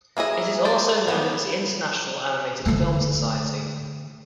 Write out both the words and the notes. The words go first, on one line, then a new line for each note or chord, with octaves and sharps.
It is also known as the International Animated Film Society.
A#3 E4 G#4 D#5
C5 D5
B3
D3 A3